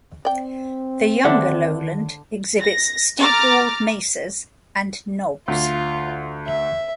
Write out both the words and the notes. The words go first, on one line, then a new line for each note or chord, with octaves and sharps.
The younger lowland exhibits steep walled mesas and knobs.
C4 D5 G5
D#2 D3 D4 E5 F#5
A#6
A#5 D6 F6 A6
D2 F4
E5